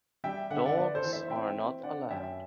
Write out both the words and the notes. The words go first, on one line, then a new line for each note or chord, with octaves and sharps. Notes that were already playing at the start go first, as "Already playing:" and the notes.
Dogs are not allowed.
G3 E5 G5
D3 F#5
E5
D5 F#5
B3 B4 D5
A4 C5
E3
C5 E5
C4 E5 G5
C4
D4 D5 F#5
F#2 E5 G5